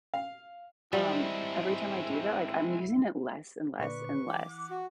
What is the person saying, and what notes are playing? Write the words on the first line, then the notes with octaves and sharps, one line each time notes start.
um, every time I do that, like, I'm using it less and less and less.
F5
G3 G#3 C4 E4
A#2 D3 B4 D5 C#6
E3 D6
F#5
F#4